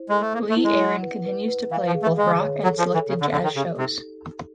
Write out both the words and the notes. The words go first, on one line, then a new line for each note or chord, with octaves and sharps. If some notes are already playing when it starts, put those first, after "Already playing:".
Lee Aaron continues to play both rock and selected jazz shows.
Already playing: E4 C5
G#3 A4
A3
A#3 A4
A3
E4
G#3
F#5
B4
B4
B4
E3 F5
F3
G#4
A3
G#3 G#4
C#5
F#3 A4
F3
A4
E3
C#3 A4
D3
D3 A4
D#3
C#3 G4
C3 D#4